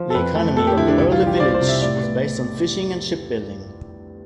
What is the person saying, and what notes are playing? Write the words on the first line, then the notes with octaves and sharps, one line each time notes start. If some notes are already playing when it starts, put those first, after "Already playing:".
The economy of the early village was based on fishing and ship building.
Already playing: F3
A4
F2 B4
A3
F2 A4
G4
D3 E4
D4
C2 E4
F4
G3
G4
C5
C2 D5
C5
C3
E5
A2 D5
B3